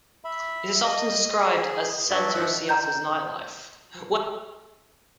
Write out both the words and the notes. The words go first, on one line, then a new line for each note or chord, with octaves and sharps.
It is often described as the center of Seattle's nightlife.
E5 B5
D#5
G#4
G2 F#3 F#4 D5 E5
D#3 F3 E5 F#6
A#5 G6